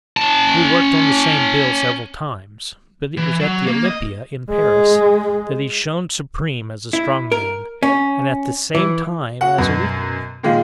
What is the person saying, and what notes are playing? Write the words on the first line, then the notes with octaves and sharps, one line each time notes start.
We worked on the same bill several times; but it was at the Olympia, in Paris, that he shone supreme as a strongman--and at the same time as a weak one.
C#4 A5
E3
F#3
A#3
D#5
G#3
E4
A#4
C#4
E3
F#4 F#5
F#2 B2
A#2 D#3 G#3 F4